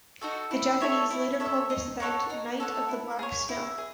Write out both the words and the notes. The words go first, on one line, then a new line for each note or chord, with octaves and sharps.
The Japanese later called this event Night of the Black Snow.
D#4 F#4 A4
E4
A4 C#5 E5
E4
A4 C#5 E5
D#4
A4 C#5 F#5
D#4
A4 C#5 F#5
E4
G#4 C#5
E4
G#4